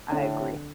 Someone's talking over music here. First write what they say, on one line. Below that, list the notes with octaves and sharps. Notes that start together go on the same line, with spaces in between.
I agree.
A2 D3